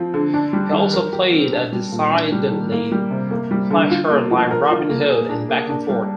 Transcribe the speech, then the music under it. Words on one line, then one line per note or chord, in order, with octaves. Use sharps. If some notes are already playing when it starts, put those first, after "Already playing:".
He also played a decidedly Flashheart-like Robin Hood in "Back and Forth".
Already playing: F3 C4
D3
D4
G3
D#3
A#4
G4
C4
D4
G3
A#2
D4
G3
D#3
A#3
G3
C3
A#3
G3
D3
F4
A#3
F3
A#4
F4
A#3
G#4
D4
A#3
D4
G3